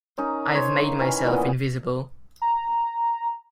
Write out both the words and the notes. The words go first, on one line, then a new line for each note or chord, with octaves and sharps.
I have made myself invisible.
C#4 D#4 A#4
C5 C#5
F5 A#5 C6
D#3 E3 C#4
A#2 E3 B3 D#5
A#5